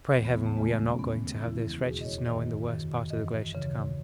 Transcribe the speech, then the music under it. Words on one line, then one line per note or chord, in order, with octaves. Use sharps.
Pray heaven we are not going to have this wretched snow in the worst part of the glacier to come.
D#2 C#3 E3 B3
B3
B3
A3
E2 C#3 E3 G#3
A3
C#4
F#2 D#3 B3
D#2 C#3 E3 E4
F#4
E2 B2 G#4
D#5
C#5
F#2 D#3 D#5
F#2 D#3
F#2 E3 D#5
D#2 C#3 E3